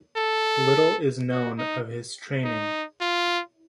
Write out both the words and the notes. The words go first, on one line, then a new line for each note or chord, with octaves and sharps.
Little is known of his training.
A4
F#4
D#4
D#4
F4